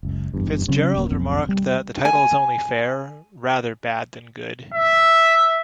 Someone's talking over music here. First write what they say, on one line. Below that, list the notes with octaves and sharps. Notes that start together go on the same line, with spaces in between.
Fitzgerald remarked that the title is only fair, rather bad than good.
F#1 C#2
F#1 E2 G2
C#3 F#3 C4 C#4
D1 A#3
F1 B1 F2 C4
G3
G#5
E5